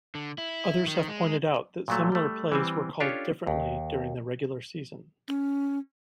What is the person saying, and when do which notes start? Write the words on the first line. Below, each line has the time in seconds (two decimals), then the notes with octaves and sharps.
Others have pointed out that similar plays were called differently during the regular season.
0.15 D3
0.38 E4
0.87 D#3
1.08 G#3
1.88 A#2 F#3 A3
2.12 G3 A3
2.52 E3 G3 C4
3.00 C#4 D4 F4 G4 A4 C#5
3.47 D#2
5.28 C#4